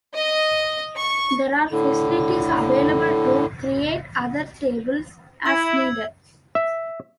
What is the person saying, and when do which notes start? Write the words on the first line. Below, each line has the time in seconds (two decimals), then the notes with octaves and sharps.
There are facilities available to create other tables as needed.
0.15 D#5
0.97 C#6
1.71 A2 D3
5.46 E4 E6 G#6
6.55 E5